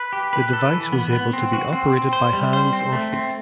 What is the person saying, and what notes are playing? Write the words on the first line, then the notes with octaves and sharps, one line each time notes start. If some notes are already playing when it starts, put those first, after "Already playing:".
The device was able to operated by hands or feet.
Already playing: B4
G4
B4
A4
E3
B3
B3
C4
F#4
C4
C4
C5
G3
C5
C4
A3
C4